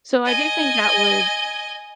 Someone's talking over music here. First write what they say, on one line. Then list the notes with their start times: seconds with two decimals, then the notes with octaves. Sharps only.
So I do think that would
0.25 D#5 G#5